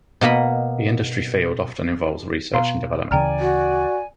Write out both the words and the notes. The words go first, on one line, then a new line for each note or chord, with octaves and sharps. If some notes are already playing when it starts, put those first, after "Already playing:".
The industry field often involves research and development.
B2 A#3 D#5 B5
B2 F5 A#5 C6
D2 C#3 E3 D5 G5 G#5 A#5 F6
F#4